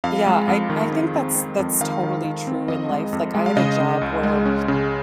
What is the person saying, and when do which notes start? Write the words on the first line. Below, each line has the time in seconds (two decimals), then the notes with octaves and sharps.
Yeah, I I think that's that's totally true in life. Like, I had a job, where
0.04 F2 F5
0.26 G#3
0.48 F2
0.69 D#3
0.92 F2
1.15 C4
1.36 C4
1.59 F2
1.81 D#3 F5
2.03 D#3
2.25 D#3
2.47 C4
2.68 F2 D#5
2.90 G#3
3.13 F2
3.35 G#3
3.46 F5
3.57 C#3 D#5
3.80 C#3
4.01 C#2
4.23 G#3
4.46 C#4
4.68 C#3